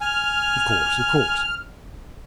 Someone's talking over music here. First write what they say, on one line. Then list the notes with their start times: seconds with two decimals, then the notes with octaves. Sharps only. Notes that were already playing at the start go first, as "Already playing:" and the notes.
'Of course, of course.
0.01 G#5 F6